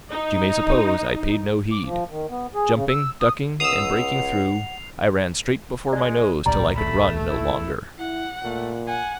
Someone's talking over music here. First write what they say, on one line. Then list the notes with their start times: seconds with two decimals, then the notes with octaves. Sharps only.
But you may suppose I paid no heed; jumping, ducking, and breaking through, I ran straight before my nose till I could run no longer.
0.11 D#4
1.72 D6
1.86 F3
2.10 D#3
2.29 B3
2.55 G#4
2.75 C#3
2.89 E6
3.21 D#6
3.60 C#2 F#5 D#6 E6 C7 F7
5.93 G#3 D5
6.46 D1 A#1 G3 D5 A#5
6.75 A3 B5
7.30 E4
7.99 E4 F#5
8.44 A#2 A3
8.88 F#5 G#5